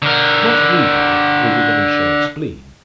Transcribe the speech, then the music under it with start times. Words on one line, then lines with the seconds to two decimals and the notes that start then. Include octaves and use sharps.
Not rudely, or with any show of spleen.
0.02 D3 A#4